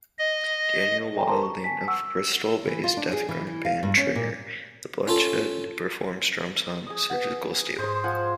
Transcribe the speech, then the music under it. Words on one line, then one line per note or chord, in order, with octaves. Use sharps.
Daniel Wilding of Bristol-based deathgrind band Trigger the Bloodshed performs drums on "Surgical Steel".
D#5
A4 D5 E5 G5 G#5 A#5
A#4 C5 A5 A#5 C6
C#6
G#5 A5 B6
F#5 C#6 E6
E3
F4
D4
G#4
E3
E3
F5
G2
C#4
A#2
C#4 F4 A4
G#4 D#5
B4 F#5
G#2 G#3 C5
F3 F#5 G#5